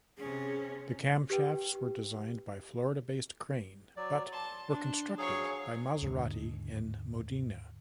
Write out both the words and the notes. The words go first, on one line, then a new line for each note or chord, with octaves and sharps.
The camshafts were designed by Florida-based Crane but were constructed by Maserati in Modena.
C3 C#4 G#4
G4 B4 G5
F#3 D5
A5 C6
D4
F#3 G#4 C#5 F5
D#2 G#2 D3 G#3